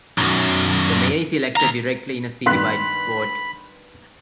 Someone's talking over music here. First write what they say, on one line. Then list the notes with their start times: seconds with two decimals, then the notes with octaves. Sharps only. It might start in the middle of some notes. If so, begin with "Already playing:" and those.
The mayor is elected directly in a citywide vote.
0.18 B1 F#2
1.57 D#2 A#5
2.46 G2 D#3 B3 B5 C6 F#6 B6